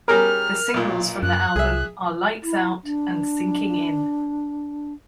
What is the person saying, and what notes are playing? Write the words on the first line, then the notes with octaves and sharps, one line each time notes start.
The singles from the album are "Lights Out" and "Sinking In".
G3 C#4 G#4 A#4 F6
B1 A#2
F#2 F#6
C2 G#4 E5
E4
D4